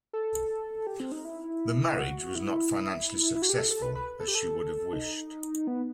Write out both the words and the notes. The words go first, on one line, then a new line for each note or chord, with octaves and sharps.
The marriage was not financially successful as she would have wished.
A4
G4
C4
D#4
E4
F#4
E4
E4
F#4
G4
A4
A4
B4
B4
A4
G4
A4
D#4
B3